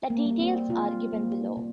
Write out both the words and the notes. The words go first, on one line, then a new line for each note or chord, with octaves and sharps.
The details are given below.
A#3
G3 A#3
C4
C3 F4
G3 A#3
C3